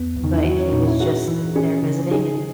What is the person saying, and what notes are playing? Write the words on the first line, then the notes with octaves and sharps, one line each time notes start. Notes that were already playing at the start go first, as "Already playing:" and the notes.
but he was just there visiting and
Already playing: E2 B3
E2
D#3
E3
F#3 F#4
C#4
A#2 D#4
E4
F#4 G#4
E3
C#4 G#4
C#3
D#4 G#4